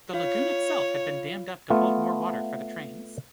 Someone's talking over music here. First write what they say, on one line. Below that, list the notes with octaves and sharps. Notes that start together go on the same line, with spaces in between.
The Lagoon itself had been dammed up to hold more water for the trains.
F4 C#5 F5
A3 B3 F4